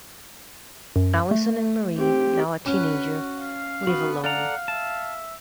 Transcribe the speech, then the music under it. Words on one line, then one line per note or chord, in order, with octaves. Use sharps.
Allison and Marie, now a teenager, live alone.
F#2
A3
C4 G4
C#4 F#4 B4
F5
B3 F#4
A4 D5 F5 F#5 A#5
E5 A5